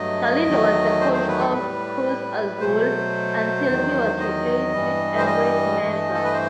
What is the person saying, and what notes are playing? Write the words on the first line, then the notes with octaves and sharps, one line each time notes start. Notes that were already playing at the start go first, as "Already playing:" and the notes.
Galindo was the coach of Cruz Azul until he was replaced with Enrique Meza.
Already playing: G2 F#3 A3 D#5
E2 D#3 F#3 A3
C5
C5
B4
A4
A2 G3 B4
B2 F#3 A3 C5
E2 D#3 F#3
D#5
G2 E3 G3
C5
D#5
G2 E3 A3
A4
B4
C5